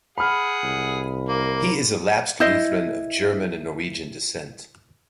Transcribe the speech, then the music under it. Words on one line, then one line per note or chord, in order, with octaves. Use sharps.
He is a lapsed Lutheran, of German and Norwegian descent.
G#4 F#5 B5 F6
C2
A#3
E4 C5 D#5